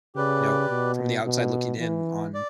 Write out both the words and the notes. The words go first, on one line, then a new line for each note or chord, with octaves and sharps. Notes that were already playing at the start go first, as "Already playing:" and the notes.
you know, from the outside looking in on
C#3 G4 B4 D5
B2
B2
E3
D5